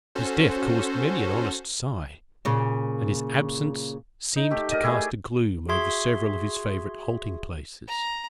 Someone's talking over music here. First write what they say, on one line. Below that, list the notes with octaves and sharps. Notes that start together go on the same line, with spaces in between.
His death caused many an honest sigh, and his absence seemed to cast a gloom over several of his favorite halting-places.
C#4 F#4 A4 C5
A#2 C#3
D#4
A3 G4
A#4 D5 D#5
A3 E4 G4 G#4
F#4 G#4 E5 C6 G#6 B6
A#5